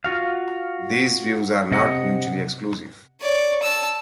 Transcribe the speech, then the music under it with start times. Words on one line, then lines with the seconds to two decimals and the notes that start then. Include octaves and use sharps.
These views are not mutually exclusive.
0.04 F4 F#4 F5
1.72 C3 D#5 F#5
3.21 C#5 D5
3.62 A5 E6